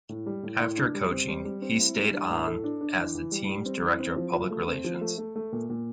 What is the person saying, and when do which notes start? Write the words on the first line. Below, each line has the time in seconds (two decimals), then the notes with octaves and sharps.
After coaching, he stayed on as the team's Director of Public Relations.
0.09 A2
0.26 G3
0.43 A2
0.60 A2
0.77 D4
0.95 G3
1.11 C4
1.28 G3
1.45 G3
1.62 C4
1.79 E4
1.96 G3
2.13 D4
2.29 A2
2.47 A4
2.64 D4
2.81 D4
2.97 E3
3.15 E3
3.32 G3
3.49 G3
3.65 C4
3.83 E3
3.99 C4
4.16 F3
4.33 F4
4.51 A3
4.67 C4
4.84 F3
5.01 A3
5.18 A3
5.36 A3
5.52 A#2
5.69 A#2